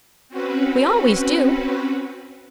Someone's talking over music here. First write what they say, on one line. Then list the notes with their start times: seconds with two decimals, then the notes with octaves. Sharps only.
We always do.
0.29 C4 C#4 F#4 B4